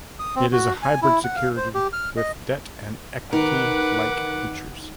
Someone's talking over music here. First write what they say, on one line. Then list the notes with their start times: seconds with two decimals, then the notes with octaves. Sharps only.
It is a hybrid security with debt- and equity-like features.
0.19 D#6
0.36 C4
0.52 F#4
0.82 G#5
1.02 E4
1.24 F#5
1.36 F5
1.57 C5
1.75 G4
1.93 F6
2.17 D#5
3.33 D#3 A#4 B4 F#5 D6